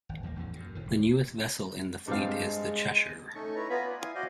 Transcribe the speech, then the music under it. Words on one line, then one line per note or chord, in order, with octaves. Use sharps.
The newest vessel in the fleet is the "Cheshire".
G#1
E2 F3 F#3 A#3
A1 F2 A2 D3
F#2 A#2
F1 A2 D#3
D#1 C#2
G2 G#3 C4 F5
A3 C#4 D#4 A4 C#6
E4 B4 C#5 A#5
B3 F4 B4 G#5 A#5 B5
D5
E4 F5 G#5 D#6
F#4 C5 D5 D#5 F5